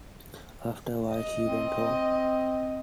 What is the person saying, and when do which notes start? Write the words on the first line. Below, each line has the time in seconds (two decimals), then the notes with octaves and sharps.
After a while she went home.
1.09 D#5
1.45 C4